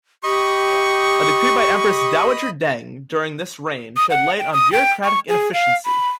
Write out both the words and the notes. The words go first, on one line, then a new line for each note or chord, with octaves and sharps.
A decree by Empress Dowager Deng during this reign shed light on bureaucratic inefficiency.
G4 D#5 B5 C#6 D#6
D#6
F#5
G5
D#6
G5
C#6
G#4
F5
B5